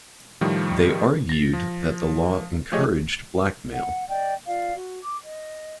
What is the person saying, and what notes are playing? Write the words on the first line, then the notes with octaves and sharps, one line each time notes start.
They argued that the law encouraged blackmail.
A2 D#3 F3 G3
A6 A#6
F3
F3 A3 G4 G#4 C#5 D#5
F#5
D5 D#5 G5
F4 D5 F5
F#4
D6
D#5